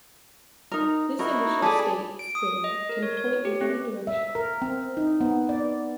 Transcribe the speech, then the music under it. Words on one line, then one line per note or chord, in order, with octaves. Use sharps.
This initial state spin can point in any direction.
D#4 A#4
D#4 E4 F#4 A#4
G#4 A4 D5 G#5 B5
D7
D#6
D#5
A#4
C#5
C#5
G4
C4
E5
A#4
C4
D#4
B3
D5